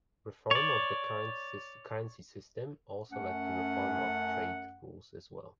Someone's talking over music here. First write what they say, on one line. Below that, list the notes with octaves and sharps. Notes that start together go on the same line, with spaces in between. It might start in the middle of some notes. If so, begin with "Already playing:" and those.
Reform of the currency system also led to reform of trade rules as well.
C#5 D5
F#2 A3 C#4 F#5